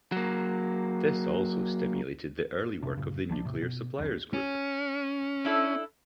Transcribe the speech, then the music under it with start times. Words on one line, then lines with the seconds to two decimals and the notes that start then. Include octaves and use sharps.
This also stimulated the early work of the Nuclear Suppliers Group.
0.12 F#3 A#3
2.83 F1 C3 D4
2.97 F#2 A2 C#3
3.29 C2 F3 G3 D4
3.45 E2 A2 C3
3.62 B2
3.99 E1 C2 F2 C#4
4.33 C#4
5.45 D4 E4 A4